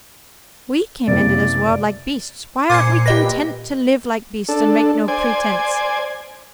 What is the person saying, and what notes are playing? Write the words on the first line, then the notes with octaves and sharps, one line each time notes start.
We came into this world like beasts--why aren't we content to live like beasts, and make no pretenses?
F#1 C3 D5
A#2 C5 G#5 D6 G#6 C7 C#7
G4 B4 D#5 A#6
D4 A4
C5 D5 G#5